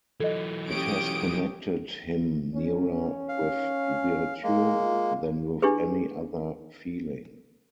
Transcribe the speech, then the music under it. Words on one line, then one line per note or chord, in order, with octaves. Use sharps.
It has connected him nearer with virtue than with any other feeling.
E3 F#3 A4 D#5
C#4 G4 D#6 D7
C#4
F5
G#3 A#3
F4
D4 E4 G4 G#4 B4